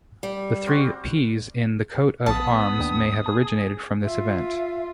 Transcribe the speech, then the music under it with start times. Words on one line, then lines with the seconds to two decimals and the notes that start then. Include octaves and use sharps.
The three "P"s in the coat of arms may have originated from this event.
0.23 G3
0.66 G3 C4 F#4
2.26 A#1 B3 A5 B5 D#6 F6
2.80 D#2 D4 G5
3.26 G#4 A5
4.04 F4 E5